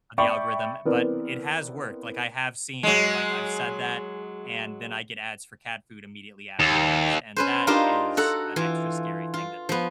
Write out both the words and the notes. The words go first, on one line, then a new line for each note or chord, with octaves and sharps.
of the algorithm, but it has worked, like, I have seen like, I've said that, and then I get ads for cat food immediately afterwards, and that is an extra scary thing that
D5 E5 G5 B5 C#6
E3 B3 C4 A#4 D5
F#3 G#3
D#2
C#4 B4 C5
D4 D#4 F4 G4 A#4 C5
F#4 A4 F#5 A#5
E3 F4
F4
F3 B3